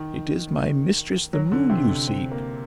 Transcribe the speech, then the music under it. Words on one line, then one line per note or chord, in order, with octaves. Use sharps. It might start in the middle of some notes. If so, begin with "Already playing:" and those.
'It is my mistress, the Moon, you seek.
Already playing: D#3
F#3
D3
C3
D3
C4
A#3